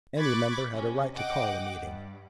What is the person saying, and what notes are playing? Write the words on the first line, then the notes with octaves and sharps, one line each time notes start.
Any member had a right to call a meeting.
B5 C#6 D6 F#6 G#6 A6
C3 C#4
D#5 F#5 G5 D6
G2